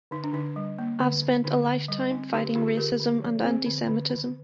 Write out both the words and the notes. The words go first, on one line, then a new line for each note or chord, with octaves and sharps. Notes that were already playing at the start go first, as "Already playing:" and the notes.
I've spent a lifetime fighting racism and anti-Semitism.
D3 D#4
D4
D3 D#4
G3
A#3
D3
D3
D3 D#4
D3
G3
C4 D#4
D3 D#4 G4
D3 F4 G#4
G#4
D3 G4 A#4
D3
F3
C4 G#4 C5
D3
D3
D#3